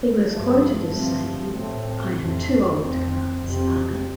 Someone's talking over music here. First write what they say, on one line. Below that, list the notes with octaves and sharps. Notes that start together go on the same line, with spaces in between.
He was quoted as saying, I am too old to command this army.
G2 F3 A3
G2 F3 A3 C4
A2 A3 C4
F2 C3 A3 C4
F2 F3 C4
F2 C3 F3 C4